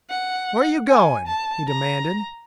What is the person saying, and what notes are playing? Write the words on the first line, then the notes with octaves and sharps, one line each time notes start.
"Where're you going?" he demanded.
F#5
G#5
A5
A#5